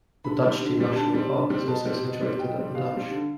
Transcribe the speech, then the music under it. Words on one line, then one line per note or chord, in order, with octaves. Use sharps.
The Dajti National Park is also situated at the Dajt.
D3 B5
G3 C4
D3
G3 C4
D3 A5
G3 C4
D3
G3 C4
B2 A5
G3 C4
B2
G3 C4
B2 G5
G3 C4
B2 F5
G3 C4
D3